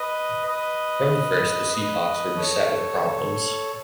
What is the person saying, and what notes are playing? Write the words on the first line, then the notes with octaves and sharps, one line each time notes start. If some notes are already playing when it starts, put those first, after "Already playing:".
From the first, the Seahawks were beset with problems.
Already playing: B4 D#5
B4 D#5
B4 D#5
A4 C#5